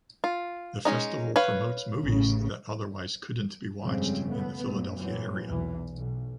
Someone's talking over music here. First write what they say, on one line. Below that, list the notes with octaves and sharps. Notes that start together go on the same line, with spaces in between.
The festival promotes movies that otherwise couldn’t be watched in the Philadelphia area.
F4
G#3 C#4 D#4
B4 C#5 F5
A1 C#3
G1 F2 C#3 G3 G#3 C4
A3 B3
F#2 A#2
A#2 E3 F#3 C4
B1 E2 E3
B1